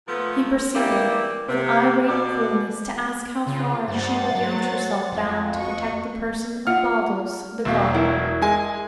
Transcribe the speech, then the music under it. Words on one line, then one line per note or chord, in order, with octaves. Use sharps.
He proceeded, with irate coolness, to ask how far she believed herself bound to protect the person of Baldos, the guard.
A#2 F3 A3 B3
E3 G3 A#3 G4 D5 E5
C3
B2 D5
C#3 F4
G2 C5 F#5 A6
F#3
F2
F#4 D#5 C#6
F4 E5 F#5 F6
E1 B2 E5 F5
E4 A#4 D#5
G#3 G#5